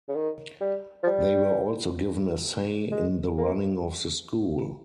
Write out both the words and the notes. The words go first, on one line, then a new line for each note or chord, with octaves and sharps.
They were also given a say in the running of the school.
C#3
D#3
G3
F3
G3
G#3
A#3